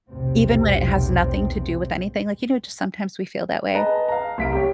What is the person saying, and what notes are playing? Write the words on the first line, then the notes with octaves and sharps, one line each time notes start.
even when it has nothing to do with anything, like, you know, just sometimes we feel that way?
B1 E2 A2 C3 C4
G#4 B4 D#5 A5 A#5
F5 A#5
C2 B6 D7
G4 C#5